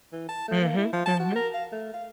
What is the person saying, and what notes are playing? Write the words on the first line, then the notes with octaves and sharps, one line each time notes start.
Mhm, mhm.
E3
A5
A3
A#3
E4
F3
A5
F#4
A#4
F5
A3
F5